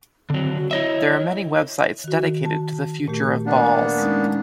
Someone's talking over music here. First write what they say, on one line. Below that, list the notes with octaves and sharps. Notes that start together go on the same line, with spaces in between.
There are many websites dedicated to the future of balls.
D3 F#3 C4
F#4
E4 C#5 D#5 E5
D#3 F#4
A5
A#2 A3 G4
A#3 B3 D4
G#3 C#4 D#4